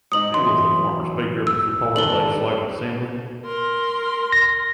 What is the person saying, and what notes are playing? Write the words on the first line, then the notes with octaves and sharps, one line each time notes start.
He was the former Speaker of Tripura Legislative Assembly.
G#2 D#4 D#6 F#7
E3 F#3 C6
E6
D#3 D4 A4 F#7 G7
A#4 C6
A#6